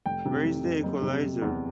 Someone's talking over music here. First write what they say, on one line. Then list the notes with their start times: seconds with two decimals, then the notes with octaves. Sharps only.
Where is the equalizer?
0.06 F1 G5
0.25 C3
0.45 F1
0.64 F2
0.83 F#1
1.02 C3
1.22 F#1
1.42 E2